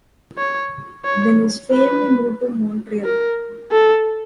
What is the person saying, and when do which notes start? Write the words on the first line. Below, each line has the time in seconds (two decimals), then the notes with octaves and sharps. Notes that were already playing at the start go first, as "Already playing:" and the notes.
Then his family moved to Montreal.
0.38 C#5
1.05 C#5
1.71 B4
3.05 A#4
3.72 A4